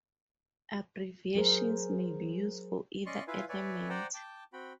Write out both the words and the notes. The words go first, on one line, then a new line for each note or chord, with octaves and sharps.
Abbreviations may be used for either element.
F#3 G#4 A#4 C5
C#4 D5 D#5 C6 C#6
E4 F4 B4 E5 F5 G#5
B4 C#5 D5 E5 G#5
C5 D5 F#5 G5 A#5 D6
G5 A5 D6
C4 F#4 G5 B5